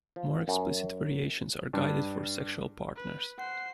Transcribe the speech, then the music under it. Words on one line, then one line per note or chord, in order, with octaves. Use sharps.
More explicit variations are guides for sexual partners.
F3
F#2
G2
B4
C5 F#5 C7